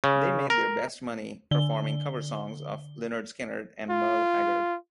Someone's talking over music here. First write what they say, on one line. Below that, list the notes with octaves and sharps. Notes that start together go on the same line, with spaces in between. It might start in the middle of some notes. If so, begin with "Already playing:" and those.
They made their best money performing cover songs of Lynyrd Skynyrd and Merle Haggard.
C#3
A#4
D3 G7
F4